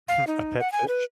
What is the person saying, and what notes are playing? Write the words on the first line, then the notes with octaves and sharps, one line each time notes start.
Hmm, a pet fish?
F5
D#4
F#5
G#5
B4